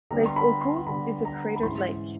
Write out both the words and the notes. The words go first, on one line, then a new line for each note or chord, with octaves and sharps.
Lake Oku is a cratert lake.
D3 G3 B3 A#5
C6
B5
C6
C6
D3 G3 B3 B5
A#5
B5
G#2 E3 G#3 C#4 E4 C6